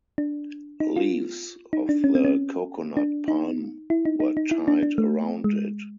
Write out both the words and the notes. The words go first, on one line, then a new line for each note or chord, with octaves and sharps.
Leaves of the coconut palm were tied around it.
D4
D#4
F4
D#4
D4
C#4
C4
C#4
D4
D#4
E4
D#4
D#4
D#4
E4
D4
D4
A3
G#3